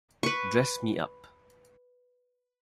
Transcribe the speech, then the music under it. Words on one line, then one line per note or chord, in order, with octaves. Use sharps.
Dress Me Up!
B4 C#6